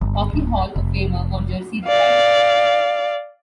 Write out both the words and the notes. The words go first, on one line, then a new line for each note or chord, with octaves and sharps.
Hockey Hall of Famer or jersey retired.
G1
D1
F1
D5 F5